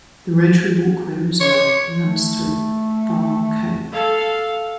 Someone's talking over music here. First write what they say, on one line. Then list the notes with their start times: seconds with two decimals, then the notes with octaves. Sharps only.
The Rotary Walkway Reserve runs through Farm Cove.
1.40 C#5
2.03 A3
3.93 A4 F5